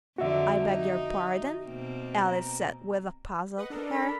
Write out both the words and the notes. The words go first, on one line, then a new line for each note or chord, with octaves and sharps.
'I beg your pardon?' Alice said with a puzzled air.
F2 D3 F#3 F#4 E5
D#4
B2 A#3 C4
A#5
B4 D#5 F#5
D4 A4 A#4
B5